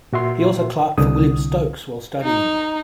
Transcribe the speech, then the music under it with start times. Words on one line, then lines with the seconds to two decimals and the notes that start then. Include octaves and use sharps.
He also clerked for William Stokes while studying.
0.13 A#2 F#4 E5 C6
0.98 C2 D3 D#6
2.22 D#4